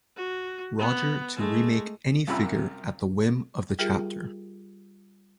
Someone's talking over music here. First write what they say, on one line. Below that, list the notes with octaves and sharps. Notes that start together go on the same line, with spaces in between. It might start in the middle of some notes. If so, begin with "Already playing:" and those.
Roger to remake any figure at the whim of The Chapter.
F#4
B3
G#3 A3
C2 F#2 C3 F4 B5 E6
G3 F4 G4 G#4 A#4 E5